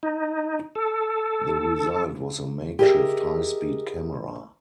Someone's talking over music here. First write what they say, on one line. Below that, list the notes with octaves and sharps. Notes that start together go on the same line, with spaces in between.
The result was a makeshift high-speed camera.
D#4
A4
G4 G#4 A#4 C#5 D#5 E5